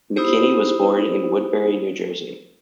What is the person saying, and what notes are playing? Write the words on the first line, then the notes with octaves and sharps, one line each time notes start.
McKinnie was born in Woodbury, New Jersey.
B3 D#4 E4 G4 C5